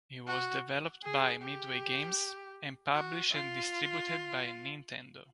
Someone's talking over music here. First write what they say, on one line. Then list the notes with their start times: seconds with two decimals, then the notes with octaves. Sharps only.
It was developed by Midway Games and published and distributed by Nintendo.
0.27 F#4
1.04 G#4
1.42 G4
2.94 F#4
3.32 F4